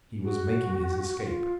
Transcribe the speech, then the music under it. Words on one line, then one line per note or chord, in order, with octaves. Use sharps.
He was making his escape.
F#4
F4